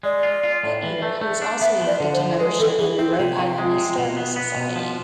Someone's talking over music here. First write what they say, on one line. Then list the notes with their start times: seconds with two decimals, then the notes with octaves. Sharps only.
That year he was also elected to membership in the Rhode Island Historical Society.
0.03 G#3 D5
0.23 F4
0.44 F4
0.63 A2
0.83 E3
1.02 A3
1.21 A3
1.42 D4
1.61 B3 E5
1.81 F3
1.87 D5
2.00 D3
2.13 C5
2.20 F3
2.39 G#3 B4
2.60 E3 A4
2.79 E3 G#4
2.99 C4 E4
3.19 C3 F4
3.38 C3
3.58 G#3
3.78 C3
3.98 B2
4.17 B3
4.36 B3
4.56 B2
4.76 F3